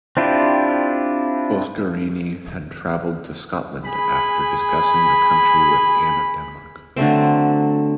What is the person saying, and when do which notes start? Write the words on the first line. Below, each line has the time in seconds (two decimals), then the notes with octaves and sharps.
Foscarini had travelled to Scotland after discussing the country with Anne of Denmark.
0.17 C4 D4 E4 F4 G4
3.85 G#4 G#5 B5
6.96 D3 F#3 A3 C4